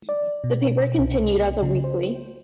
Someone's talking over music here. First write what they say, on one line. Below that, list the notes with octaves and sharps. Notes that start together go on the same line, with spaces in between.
The paper continued as a weekly.
D5
B2
C2
C#3
C5